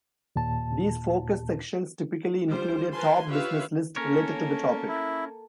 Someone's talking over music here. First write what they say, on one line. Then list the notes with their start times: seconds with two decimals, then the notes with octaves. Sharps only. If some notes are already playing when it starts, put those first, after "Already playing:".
These focus sections typically include a "top business list" related to the topic.
0.36 D#2 A#2 A5
2.47 G3 F4 C5
2.91 A#4 B4 G#5 A5 C6
3.27 F4 G4 B4 C#5 E5 F5
3.96 A#3 C#4 A4 A#4 C#5
4.88 E4